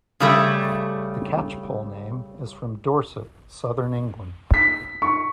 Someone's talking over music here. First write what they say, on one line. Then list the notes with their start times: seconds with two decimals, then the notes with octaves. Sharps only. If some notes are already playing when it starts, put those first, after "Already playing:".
The Catchpole name is from Dorset, Southern England.
0.20 C#3 G3 A3
4.54 B6
5.02 C#6